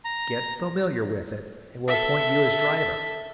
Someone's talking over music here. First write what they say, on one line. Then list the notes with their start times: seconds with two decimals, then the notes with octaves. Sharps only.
Get familiar with it and we'll appoint you as driver.
0.05 A#5
1.88 A4 E5